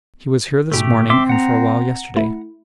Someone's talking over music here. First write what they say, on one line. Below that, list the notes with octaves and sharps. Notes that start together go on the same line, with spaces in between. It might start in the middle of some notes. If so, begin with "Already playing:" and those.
"He was here this morning and for a while yesterday."
G#2 B2 D3 A3 G4
C4 E5 C6 D6
F#5 A#5
A3 E4